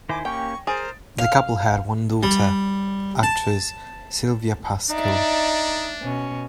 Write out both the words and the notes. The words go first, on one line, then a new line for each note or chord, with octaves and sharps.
The couple had one daughter, actress Sylvia Pasquel.
D#3 E4 C5 G#5 B5 D6 A#6
A#3 C#4 G4 G5 C#6
G#4 A#4 C5 D#6 A6 D7
F5
G3
A5
D4 D#4 D5 E5
B2 C#4